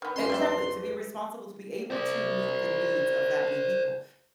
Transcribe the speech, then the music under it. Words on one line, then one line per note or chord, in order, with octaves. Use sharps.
Exactly, to be responsible, to be able to meet the needs of that many people
D#3 B3 B4
F2 C#4 C6
G4 D5 E5
C5 D5